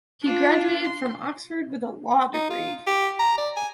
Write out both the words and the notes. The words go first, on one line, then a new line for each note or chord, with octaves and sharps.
He graduated from Oxford with a law degree.
D4 F4
C6
D#4
F4
G4
A#5
D5
G#5